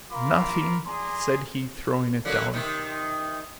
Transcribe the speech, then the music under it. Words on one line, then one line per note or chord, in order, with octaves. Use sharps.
"Nothing," said he, throwing it down.
F4 A#4 F5 B5 C6 D6
G#4 D5 G#5 A#5 C6
D3 F#3 A#3
C3 D#3 D#4